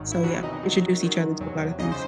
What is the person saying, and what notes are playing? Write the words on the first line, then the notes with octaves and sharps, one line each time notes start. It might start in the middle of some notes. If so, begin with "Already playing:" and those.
So, yeah, introduce each other to a lotta things.
Already playing: G#1 D#3 F#3
E4
E2 C3 E3 F#3 F#4
D#4 D#5
F#2 D#3 F#3
F#2 D#3 F#3
E2 C3 F#3
C#2 C#3 E3 D#4 D#5
C5